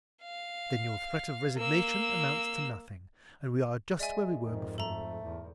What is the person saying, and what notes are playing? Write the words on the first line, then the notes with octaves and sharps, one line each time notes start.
"Then your threat of resignation amounts to nothing, and we are just where we were before."
F5
A#3 E6
G#3 D5 E5 G#5
F2 G#2 D#3
A3 A4 A#5
E2